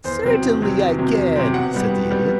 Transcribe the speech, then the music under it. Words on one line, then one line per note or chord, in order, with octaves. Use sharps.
"Certainly I can," said the Idiot.
E2 C5
C3 F#3 C4
E2
C3 F#3 C4
E2
C3 F#3 C4
E2
C3 F#3 C4
B2 F#5
G3 B3
B2
G3 B3